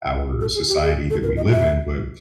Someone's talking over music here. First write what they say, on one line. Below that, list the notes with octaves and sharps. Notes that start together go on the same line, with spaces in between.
our society that we live in, but,
A4
G#4
G4
G#4
A4
A#4
D#5
E5